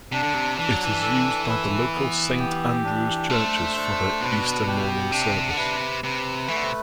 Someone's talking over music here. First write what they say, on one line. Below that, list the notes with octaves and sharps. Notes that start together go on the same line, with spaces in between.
It is used by the local Saint Andrews churches for their Easter morning service.
C3 D4
D3
C3
E3 D4
F#3
E3
A4
B4
B3
G4
D4
A3 C5
D4
B2 B4
G4
C3 D4
D3
C3 B4
C3 B4
E3 A3
D3
C3